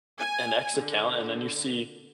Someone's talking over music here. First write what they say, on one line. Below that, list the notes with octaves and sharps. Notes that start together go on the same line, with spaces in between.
an X account, and then you see
G#5
D3